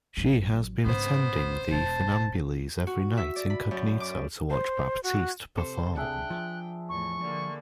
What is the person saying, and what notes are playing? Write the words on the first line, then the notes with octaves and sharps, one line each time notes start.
She has been attending the Funambules every night incognito to watch Baptiste perform.
A1 F#3
G#1 C#3 B3 C5
E1 A5
F#4
E5
D5
B5
F#2
D6
C5
F#4
C3 A4 C5
D4 G#4 E5 G5 F#6
F3
E2 A2 C#6
D3 A#3